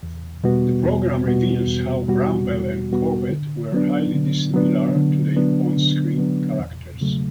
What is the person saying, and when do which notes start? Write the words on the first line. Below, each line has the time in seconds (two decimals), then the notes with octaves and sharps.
The programme reveals how Brambell and Corbett were highly dissimilar to their on-screen characters.
0.03 E2
0.44 B2 G3 B3 F#4
0.85 E2
1.26 B2 G3 B3 F#4
1.66 E2
2.08 B2 G3 B3 F#4
2.49 E2
2.90 B2 G3 B3 F#4
3.30 D3
3.72 F#3 B3 D4
4.14 D3
4.54 F#3 B3 D4
4.95 D3
5.36 F#3 B3 D4
5.77 D3
6.18 F#3 B3 D4
6.59 E2
7.01 C#3 F#3 A3